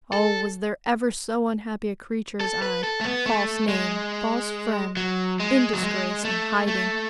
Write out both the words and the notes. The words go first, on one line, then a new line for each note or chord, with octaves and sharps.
Oh, was there ever so unhappy a creature as I? False name, false friend, in disgrace, in hiding!
A4
A4
B4
A4
A3
B3
A3
G#3
F#3
G#3
F#3
G#3
A3
A3